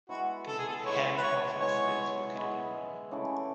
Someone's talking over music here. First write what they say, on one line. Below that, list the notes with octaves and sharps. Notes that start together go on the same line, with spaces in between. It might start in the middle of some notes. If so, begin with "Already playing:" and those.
The head office is located in Rome.
G#3 B3 E4 F#4
A4
G#4
A4
G#3 B3 E4 C#5
B4
C#5
G#3 B3 E4 C#5
G#3 B3 E4
C#3 E3 A3